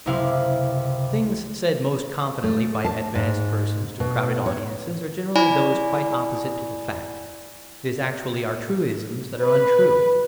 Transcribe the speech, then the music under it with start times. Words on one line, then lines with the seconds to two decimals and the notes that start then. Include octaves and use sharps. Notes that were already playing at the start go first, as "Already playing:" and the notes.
The things said most confidently by advanced persons to crowded audiences are generally those quite opposite to the fact; it is actually our truisms that are untrue.
0.06 F#1 C#2 C3 E4 F5
2.44 A3
2.84 A5
3.15 G#2
4.00 B2
4.46 C#5
5.36 E4 D5 G#5 B5
9.42 B4